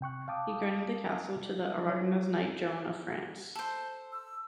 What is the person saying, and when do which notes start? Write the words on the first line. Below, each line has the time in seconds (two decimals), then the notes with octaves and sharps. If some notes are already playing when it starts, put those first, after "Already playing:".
He granted the castle to the Aragonese knight Joan of France.
0.01 C3 G5 C#6 F#6
0.28 F5 G5 A5 D6 D#6
1.85 F#3 F4 C#5
3.55 A4 C5
4.12 E6